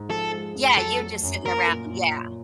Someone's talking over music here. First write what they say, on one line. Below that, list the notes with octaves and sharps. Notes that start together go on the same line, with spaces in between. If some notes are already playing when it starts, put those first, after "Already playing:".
Yeah you're just sitting around, yeah.
Already playing: G#2
F3 A4
G#3
F2
F#3 A4
A3
F#2
A#3 A#4
A#2
A#2